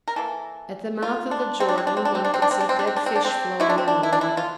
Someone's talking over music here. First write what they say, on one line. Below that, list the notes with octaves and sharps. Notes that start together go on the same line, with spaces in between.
At the mouth of the Jordan one can see dead fish floating on the water.
A#4
E3 A#3 A4
F4
D4
C4
D4
C4
D4
C4
D4
C4
D4
C4
D4
C4
D4
C4
D4
C4
D4
C4
D4
C4
D3 A3 E4
D4
C4
D4
E4
D4
E4
F4